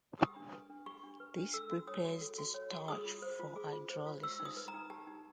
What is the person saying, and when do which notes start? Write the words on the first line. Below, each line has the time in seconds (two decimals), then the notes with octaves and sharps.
This prepares the starch for hydrolysis.
0.19 G4 D#6
0.36 D4
0.53 B4
0.70 D4
0.86 G4 C#6
1.03 D4
1.20 B4
1.37 D4
1.54 A4 E6
1.71 F#4
1.87 C#5 D#6
2.04 F#4
2.21 A4
2.38 F#4
2.54 C#5
2.71 F#4
2.88 G#4 D#6
3.05 F4
3.22 C5
3.40 F4
3.56 G#4
3.73 F4
3.90 C5
4.06 F4
4.23 G4 E6
4.40 D#4
4.45 D#6
4.57 B4
4.68 A#5
4.74 D#4
4.90 G4 A5
5.07 D#4